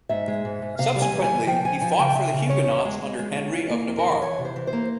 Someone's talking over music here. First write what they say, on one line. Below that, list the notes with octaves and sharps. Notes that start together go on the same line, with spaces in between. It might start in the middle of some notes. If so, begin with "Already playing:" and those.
Subsequently, he fought for the Huguenots under Henry of Navarre.
G#2 E5
G#3
G#2
G#2
C3 F5
G3
G#5
E3
G#5
E3
F3 G5
F3 G#5
F3 G#5
C#3 G5
C#3 E5
C#3
C#4 C#5
E2
G#3
G#3
G#3
C#4
E3 F4
A#3
F2
A#4
E3
E3 C#5
C3
C5
E3
C5
A#3